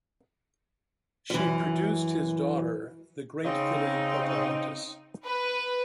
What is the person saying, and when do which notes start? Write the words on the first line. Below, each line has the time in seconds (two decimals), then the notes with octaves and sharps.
She produced his daughter, the great filly Pocahontas.
1.30 F#2 E3
3.45 C#3 C4 D#4
5.23 B4